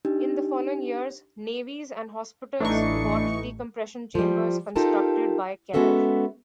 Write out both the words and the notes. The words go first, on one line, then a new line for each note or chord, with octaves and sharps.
In the following years, navies and hospitals bought decompression chambers constructed by Keller.
D4 D#4 G4
A1 E3 A3 D4 D#4 C#6
F3 G3
D#4 F4 G4 A4 A#4 A5
G#3 B3 C#4 F#4 A4 E5